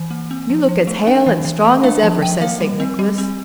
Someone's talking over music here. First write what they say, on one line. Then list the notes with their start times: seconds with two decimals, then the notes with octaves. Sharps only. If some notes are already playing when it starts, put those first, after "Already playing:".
"You look as hale and strong as ever," says St. Nicholas.
Already playing: E3
0.11 A#3
0.31 C4
0.50 F3
0.69 F3
0.87 A3
1.07 D4 G5
1.26 E3
1.45 E3
1.65 A3
1.83 D4 F5
2.03 F3 A5
2.22 F3 G5
2.41 A#3 F5
2.60 G3
2.80 C4
2.99 G3
3.18 C4